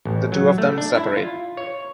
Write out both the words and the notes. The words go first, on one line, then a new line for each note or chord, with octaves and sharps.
The two of them separate.
A1
F#3
A3
D4
E4
F4
C#5